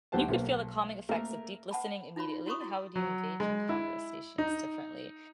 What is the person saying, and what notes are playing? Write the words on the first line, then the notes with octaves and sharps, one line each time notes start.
You could feel the calming effects of deep listening immediately. How would you engage in conversations differently,
D2 F#3 G4 C5 F#5 A5
B1 A#3
A3 A#3 A#4
B4 F#5 A5 B5
D#4 F4 F#4 C#5 B5
E4 F#4 A#4 C#5 C#6 D#6
E4 F#4
F#3
G#3
E4
D#4